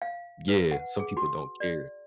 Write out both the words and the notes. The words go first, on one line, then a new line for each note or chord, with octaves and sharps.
yeah, some people don't care.
F5
B4
F#5
G#4
F#4
D5